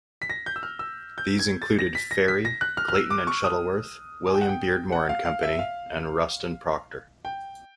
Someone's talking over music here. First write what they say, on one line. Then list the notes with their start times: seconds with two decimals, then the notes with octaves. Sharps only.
These included Fairey, Clayton and Shuttleworth, William Beardmore and Company and Ruston Proctor.
0.22 B6
0.30 A#6
0.46 G6
0.56 E6
0.63 F6
0.79 E6
1.18 G6
1.39 G#6
1.62 A6
1.79 A#6
1.95 B6
2.11 A#6
2.28 B6
2.45 A#6
2.61 F#6
2.77 F6
2.88 F6
2.94 E6
3.10 D6
3.27 C#6
3.44 D#6
4.26 G#5
4.34 G5
4.41 F#5
4.49 G5
4.92 F#5
5.09 F5
5.25 F5
5.43 E5
5.59 F5
7.25 G5